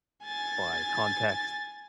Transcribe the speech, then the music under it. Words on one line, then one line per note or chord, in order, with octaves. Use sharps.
by context,
G#5 A6